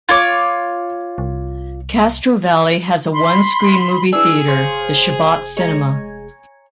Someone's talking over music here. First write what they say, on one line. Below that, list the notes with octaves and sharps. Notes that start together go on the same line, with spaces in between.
Castro Valley has a one-screen movie theater, the Chabot Cinema.
F4 C#5 D6
C2
B5 C6
E3 D4 G#4 E6
F1 C5 C#5 F5
G#3 C#5 G#5 A#5